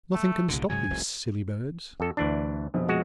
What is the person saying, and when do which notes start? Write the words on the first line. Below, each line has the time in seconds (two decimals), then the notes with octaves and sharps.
Nothing can stop these silly birds.
0.14 A3
0.49 C2 A#2 D3
0.70 G#2 C#3 F#3 G#5
0.90 F1 C2
2.00 F2 A4
2.17 D2 E3 D4
2.74 A#1 F2 B2
2.89 G#3 F#4